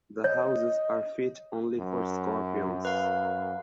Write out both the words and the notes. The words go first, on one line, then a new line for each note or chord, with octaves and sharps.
The houses are fit only for scorpions.
C#5 D#5
F#2
B4 F5